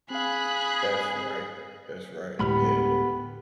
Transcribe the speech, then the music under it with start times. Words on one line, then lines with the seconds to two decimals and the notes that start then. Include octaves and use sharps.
That's right. That's right. Yeah,
0.10 C4 G#4 F5 B5 F#6
2.39 D2 A2 G#3 B3 G4 B5 F6